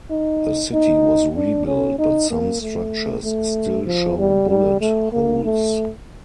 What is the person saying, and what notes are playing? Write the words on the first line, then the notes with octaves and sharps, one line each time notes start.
The city was rebuilt but some structures still show bullet holes.
D#4
D#4
D4
C#4
D#4
A#3
A3
A3
F3
G3
G3
A3
A#3
A3